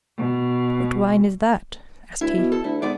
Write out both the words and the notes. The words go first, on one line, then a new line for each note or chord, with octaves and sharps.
"What wine is that?" asked he.
B2
D2 E4
B2
A4
D2 E4
G#2 B3 D5